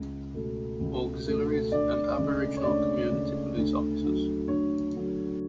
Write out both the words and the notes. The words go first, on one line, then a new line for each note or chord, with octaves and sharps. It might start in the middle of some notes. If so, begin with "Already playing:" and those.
Auxiliaries and Aboriginal Community Police Officers.
Already playing: C#2
B2 A3
C#2
B2 A3
D2 D5
C#3 G#3
C#5
D2 D5
C#3 G#3
D2
D3 F#3
D2 C#5
D3 F#3